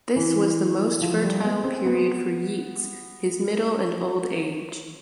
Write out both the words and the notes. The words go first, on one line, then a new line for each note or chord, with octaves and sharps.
This was the most fertile period for Yeats, his middle and old age.
E3
F3
G3
B3
C4
B3